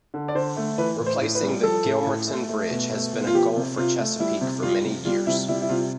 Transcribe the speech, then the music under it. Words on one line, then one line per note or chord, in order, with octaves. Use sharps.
Replacing the Gilmerton Bridge has been a goal for Chesapeake for many years.
D3
D5
D3 C5
A3
E3 B4
A2
C5
A2
B4
G3
F3 A4
A2
A2
A3
A3
B2
A3
B2
F4
F3 G4
C3
C3 F4
A3
G3 E4
C3
G3 F4
C3
G3 F4
C3 E4
G3 E4
E4
C3 F4